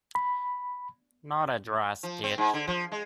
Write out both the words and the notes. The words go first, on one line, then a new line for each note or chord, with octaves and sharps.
Not a dry stitch.
B5
F3
C4
G#2
D3
F3
G#3